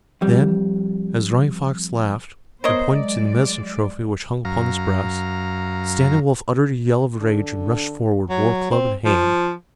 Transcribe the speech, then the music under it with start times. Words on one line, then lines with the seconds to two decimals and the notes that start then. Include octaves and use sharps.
Then, as Running Fox laughed and pointed to the medicine-trophy which hung upon his breast, Standing Wolf uttered a yell of rage and rushed forward, war-club in hand.
0.21 F2 G3
2.64 B3 A#4 C5 C#5 D#5
2.97 F#3 G#3 D5
4.45 F#2 F5 A#5
7.20 D3
8.30 F#3
8.71 C4
9.05 F3